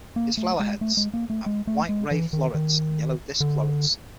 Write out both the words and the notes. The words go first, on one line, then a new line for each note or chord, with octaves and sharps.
Its flower heads have white ray florets and yellow disc florets.
A#3
A3
G#3
A3
G#3
A#3
A3
G#3
A3
G#3
E3
D#3
D#3
D3